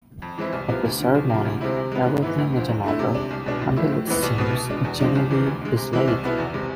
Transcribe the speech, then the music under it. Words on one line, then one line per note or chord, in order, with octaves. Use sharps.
At the ceremony, everything is in order, until it seems Genevieve is late.
F2
E3 G#3 C4 E4
C2
C3 F3 B3
D2
D3 F3
C2
C3 F3
D2
C3 G#3 C4 E4
C3
G#3 B3
G#2
E3 B3 E4
D2
D3 F3
E2
D3 A3 E4
C3
G#3 D4
C2
B2 G#3 D4
A2
F3 A3 E4
A2
E3 G#3 B3 E4
C2
B2 B3
B2
G#3 D4
E2
D3 F3 G#3 D4
C2
C3 E3
D2
D3 G#3
C3
E3 G#3 C4 E4
C2
B2 B3 E4
E2
C3 G#3